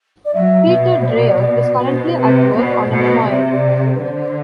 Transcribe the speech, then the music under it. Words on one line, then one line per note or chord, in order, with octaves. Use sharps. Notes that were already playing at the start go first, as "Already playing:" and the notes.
Peter Dreyer is currently at work on a memoir.
D5
F#3 E5
B2
C5
D5
B2 C5
C5
C3 B4
B2 C5
D5
C5
B2
D5
C3 E5
D5
D5
A4
B4
D3 C5